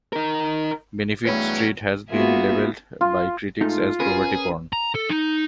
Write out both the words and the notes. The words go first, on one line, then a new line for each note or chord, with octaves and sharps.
Benefits Street has been labelled by critics as "Poverty Porn".
D#4 A#4
E2 G2 F#3 A3 C#4 B4 C#5 B5
A#3 B3 F4 F#4 G#4 E5
F4
G#2 A3 D#4 F4
C#4 G#4 A#4 B4
A#5
A4
D#4